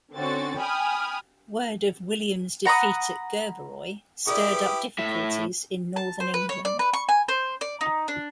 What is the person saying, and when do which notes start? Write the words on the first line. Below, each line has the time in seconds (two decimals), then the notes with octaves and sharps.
Word of William's defeat at Gerberoi stirred up difficulties in northern England.
0.15 D3 C4 C#4 F#4 A6
0.58 G5 G#5 B5 D#6 F6
2.65 F#5 A#5 B5 D#6
4.27 E4 G4 G#4 A#4 D5 D#6
4.53 B4 G5
4.99 A2 E5
5.96 A5
6.20 C5
6.34 B4
6.49 C#5
6.65 D5
6.79 B4
6.94 C#6
7.09 G#5
7.28 C5
7.61 D5
7.81 D#4
8.08 D4